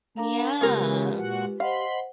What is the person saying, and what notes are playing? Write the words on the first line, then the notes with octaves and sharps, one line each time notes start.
N yeah.
D4 A#4 F5 A#5
C#3 G#3 B3 F4 G4 A#4
A#2 F#4 F#5
C5 D#5 F5 F#5 B5 C6